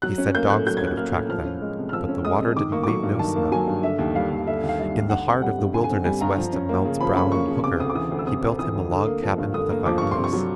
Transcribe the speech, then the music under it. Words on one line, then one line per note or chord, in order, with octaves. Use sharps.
He said dogs could have tracked them, but 'the water didn't leave no smell.' In the heart of the wilderness west of Mounts Brown and Hooker he built him a log cabin with a fireplace.
F#3 F#6
C#4
A#3 G6
A2 F#6
F#3 G6
G#6
C#4
F#6
A#3 F6
A2
F3 F6
C#4
G#3
C3
F6
F3 E6
C#4
G#3 D#6
C3
D#3 D6
A#3 C#6
D6
F#3 C#6
G2
D#3 A5
A#3
F#3 G#5
G2
D3 E5
D#2
G3 F5
D#2
D3 E5
D#2
F5
G3 E5
D#2
D3 F#5
C4
G3 F#5
G2
D3 G#5
G#5
C4
G3 G#5
G2 A#5
F3
C#4
A#3
C#3
F3 B5
C#4 B5
A#3 C#6
C#3
C3 D6
D2 D#6
D6
E3 D#6
D2
E6
C3 D#6
D2
E3 D#6
D2
D3
A#3
F3
G2
D3 D#6
A#3
F3 D6
G2 C#6
C6
C3
C#6
F#3